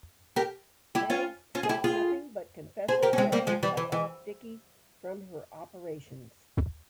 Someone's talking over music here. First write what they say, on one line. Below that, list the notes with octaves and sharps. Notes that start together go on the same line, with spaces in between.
Mags says nothing but confesses that she cut off Dickie from her operations.
G4 A#4
E4 G4
C#4 F4
C#4 F4
G#4
E4 G4
F4 G#4
G#4 C5
G4 A#4
C#4
G#3 C4
G3 A#3
F3 G#3
E3 G3
E3
E3